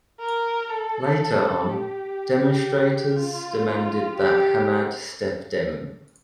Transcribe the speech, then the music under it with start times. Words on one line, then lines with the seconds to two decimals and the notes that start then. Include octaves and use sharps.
Later on, demonstrators demanded that Hamad step down.
0.20 A#4
0.70 A4
1.69 G4
3.16 F4
4.15 G4